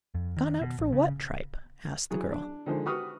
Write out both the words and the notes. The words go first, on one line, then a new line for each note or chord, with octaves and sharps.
"Gone out for what tripe?" asked the girl.
F2
D#3
B2
A1
C#3
E3 F#3 G#4
D4
D3 D#3 F3 G#3 A4 C5
F#4 G4 B4 C#6 D#6 F6